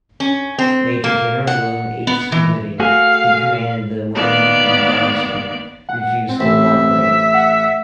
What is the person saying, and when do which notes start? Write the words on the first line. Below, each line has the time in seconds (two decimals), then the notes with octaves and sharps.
Major General William H. C. Whiting, who commanded the Wilmington garrison, refused to cooperate.
0.20 C#4
0.58 C4
1.04 A#3
1.47 F#5
2.07 B3
2.32 E3
2.80 A3 F#4 G#4 F5
4.14 D#3 A#3 B3 D5 F5
5.89 F#5
6.29 C4
6.40 A1 E5
7.34 F#5